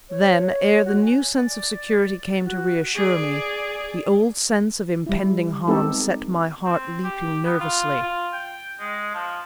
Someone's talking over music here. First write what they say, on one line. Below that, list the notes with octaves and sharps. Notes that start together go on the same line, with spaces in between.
Then, ere the new sense of security came to reassure me, the old sense of impending harm set my heart leaping nervously.
C#5
F#4
G#5
D5
F#4
G#4 D5
G3 E4
G#3 B3 C4 D#4 G4 A4
C4
G4
B3
F4
F4
G5
G#3
F3